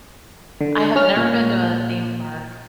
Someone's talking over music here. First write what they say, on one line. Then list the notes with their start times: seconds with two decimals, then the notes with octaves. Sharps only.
I have never been to a theme park.
0.61 D3
0.96 C#4 F6
1.17 A#2